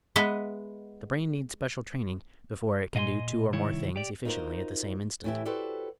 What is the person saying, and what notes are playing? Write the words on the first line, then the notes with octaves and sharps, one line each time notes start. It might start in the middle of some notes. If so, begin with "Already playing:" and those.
The brain needs special training before it can do two or more things efficiently at the same instant.
G#3 B3 B4 D#5 E5
A#2 D#5 F5 G#5 C6
C2 D#3 E4 C#5
G4 D5
D#4 F4 F#4 A4 A#4 C5
A2 E3 E4 G4 E5
F#4 G4 A4 B4 C5 D5